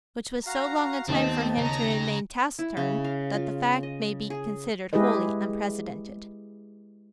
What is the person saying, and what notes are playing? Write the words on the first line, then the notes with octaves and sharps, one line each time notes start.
Which was so long a time for him to remain taciturn, that the fact may be considered wholly unprecedented.
F#4 F5 A#5
D#2 A3 B3 C4 C5 D#5 A5
C#3 C#4 A#5 A#6
E4
C#3
F5
F4
D#5
G#4
G#3 E4 G4 G#4 B4 D#5